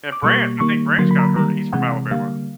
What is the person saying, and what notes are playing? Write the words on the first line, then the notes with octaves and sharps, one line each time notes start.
And Bran I think Branch got hurt. He's from Alabama.
D6
B2 G3 A#3 C#6
D#3 G3 A#3 C#6
D3 F#3 A#3 C6
B5
A#5
B5
D#3 G3 A#3 A#5
C3 E3 G#3 F#5
D3 G3 A#3 F5